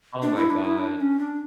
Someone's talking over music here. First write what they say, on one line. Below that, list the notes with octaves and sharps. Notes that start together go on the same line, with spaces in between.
Oh my god.
D4
E4
D4
E4
D4
C#4
D4